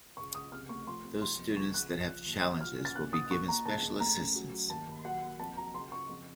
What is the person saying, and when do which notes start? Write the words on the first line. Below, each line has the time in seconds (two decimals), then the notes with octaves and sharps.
Those students that have challenges will be given special assistance.
0.17 C#2 C#6
0.35 C#2 D#6
0.52 C3 F6
0.69 A3 C#6
0.87 F3 C6
1.04 C3
1.22 F2 C6
1.39 F2
1.57 C#3 C#6
1.74 C#3 F#6
1.92 F3
2.08 F3
2.26 D#2
2.43 F#3
2.61 F4 F6
2.78 C#4
2.85 A6
2.95 A#2 F#6
3.13 A#2 D#6
3.31 A#2 C#6
3.48 A#2 A#5
3.66 C#2 A5
3.83 C#2
4.00 A3 A#5
4.18 C#4
4.35 F#3
4.52 F#3
4.70 D#2 A5
4.87 D#2
5.05 F#3 F#5
5.22 A#3
5.40 F2 A5
5.57 F#3 A#5
5.74 C#2 C6
5.92 C#3 C#6
6.09 F2